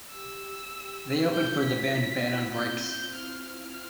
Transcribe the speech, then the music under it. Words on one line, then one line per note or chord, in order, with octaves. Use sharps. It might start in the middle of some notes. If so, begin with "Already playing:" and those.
They opened for the band Bed on Bricks.
G4 E6
F4 G6
E4 B6
C4
G6
G6
F6
F6